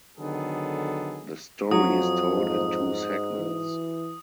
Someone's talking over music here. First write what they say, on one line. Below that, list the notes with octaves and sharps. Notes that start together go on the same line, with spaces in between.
The story is told in two segments.
D3 D#3 F#3 B3 G#4 A4
F2 F#3 D#6
G#2
E3